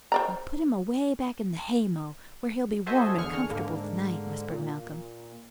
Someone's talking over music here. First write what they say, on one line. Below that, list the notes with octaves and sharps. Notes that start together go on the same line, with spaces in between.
"We'll put him away back in the hay-mow where he'll be warm and comfortable to-night," whispered Malcolm.
C5 D5 A#5
F#4 A4 C5 D#5 E5 G#5
E2 D3 G#4 C#6 F6
G#2 D3 A#3
A#2